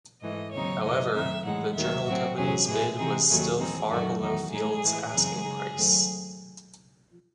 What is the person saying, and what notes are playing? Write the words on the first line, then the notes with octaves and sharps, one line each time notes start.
However, the Journal Company's bid was still far below Field's asking price.
G#2 E3 A3 D#5
D#2 C#3 F#3 C4 D#4 C#5
F#2 C#3 E3 A3 D#5
F#2 D#3 A3 C4 D#4 E5
A2 E3 G#3 D#4 F#5
D#2 D#3 F#3 E5
A2 F#3 C4 F#4
E2 C3 F#3 C#4 G#4
A2 E3 G#3 G#4
C3 E3 C4 D#4 G#4
D#2 D#3 F#3 A3 G#4
A2 E3 C4 D#4 G#4
F#2 D#3 A3 F#4
E2 D#3 F#3 A3 D#4 F#4
A2 G#3 D#4 G#4
A2 E3 G#3
F#2 C#3 E3 C4 D#4 G#4
C#3 G#3 D#4
F#2 D#3 F#3 A3 C4